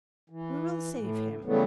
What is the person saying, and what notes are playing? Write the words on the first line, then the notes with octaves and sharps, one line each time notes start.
We will save him.
E3
A2
C#3 E3 F#3 G3 A3 B3